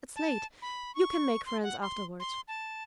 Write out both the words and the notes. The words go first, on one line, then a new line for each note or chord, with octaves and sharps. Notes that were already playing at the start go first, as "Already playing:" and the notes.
"It's late. You can make friends afterward."
A5
B5
C#6
C6
F#5
C6
C6
A5